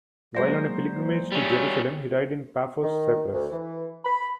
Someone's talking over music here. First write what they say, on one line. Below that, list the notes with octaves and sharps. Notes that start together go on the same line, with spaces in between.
While on a pilgrimage to Jerusalem he died in Paphos, Cyprus.
F#3 G#3 A#3 C5 D5 A#5
G3 C#4
D#3
D2
E3
B5